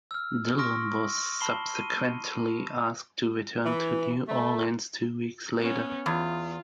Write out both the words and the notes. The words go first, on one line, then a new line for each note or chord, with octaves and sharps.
Dillon was subsequently asked to return to New Orleans two weeks later.
E6 F6
C6 C#6 D#6 F6 A#6 D7
A5 B5 C7 G7
D#7
E3
A3
B3 C#4
E2 F4